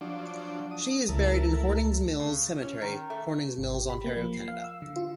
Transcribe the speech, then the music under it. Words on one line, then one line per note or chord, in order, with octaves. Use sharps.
She is buried in Hornings Mills Cemetery, Horning's Mills, Ontario, Canada.
F3 F#3 D4 D5
D#6
C#2 C#3 E4 A#4 A5
A3
C#3
C#4
D#3
A3
G#1
G4
B5
A#3
F3
C7
F5
E6
D3
F4